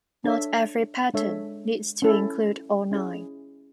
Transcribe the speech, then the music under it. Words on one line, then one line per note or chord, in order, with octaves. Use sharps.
Not every pattern needs to include all nine.
D4 A4 C#5 E5
G#3 D4 A4 C#5 E5
C#4 E4 A4
C#4 E4 G#4